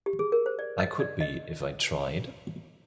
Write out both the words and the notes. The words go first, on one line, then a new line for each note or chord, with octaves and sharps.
I could be, if I tried.
G4
G#4
A#4
C5
D5
D#5
D5
D#5